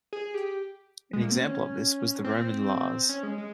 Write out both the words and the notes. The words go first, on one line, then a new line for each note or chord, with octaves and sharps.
An example of this was the Roman Lares.
G#4
G4
G#3
A#3
C4
C#4
C4
C#4
G#3
G#3